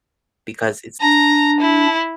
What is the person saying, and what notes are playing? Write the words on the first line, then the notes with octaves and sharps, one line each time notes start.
because it's
D4 A#5
E4